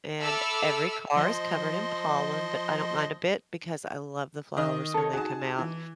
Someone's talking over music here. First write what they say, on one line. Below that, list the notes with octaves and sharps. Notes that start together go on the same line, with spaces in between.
and every car is covered in pollen, but I don't mind a bit because I love the flowers when they come out.
A4 E5 B5 D6 E6 F6
F3 D#5 C6
D#3 D#5
A4 C#5
D#4 F#4 G#4 A5
E3